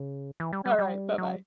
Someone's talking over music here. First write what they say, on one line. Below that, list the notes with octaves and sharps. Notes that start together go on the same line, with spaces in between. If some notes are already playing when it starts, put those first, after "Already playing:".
Alright. Bye-bye.
Already playing: C#3
E3
G3
G3
G3
F#3